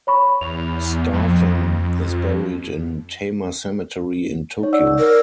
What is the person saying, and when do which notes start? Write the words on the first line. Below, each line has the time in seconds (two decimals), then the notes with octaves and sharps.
Starffin is buried in Tama Cemetery in Tokyo.
0.07 C#5 B5 C#6
0.41 E2 F7
1.13 F2
4.59 D#4 C#5
4.73 D5 F#5 E6
4.99 A#4